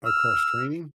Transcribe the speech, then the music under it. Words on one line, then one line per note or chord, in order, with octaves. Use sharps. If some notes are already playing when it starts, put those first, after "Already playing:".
Oh, cross-training?
E6 F6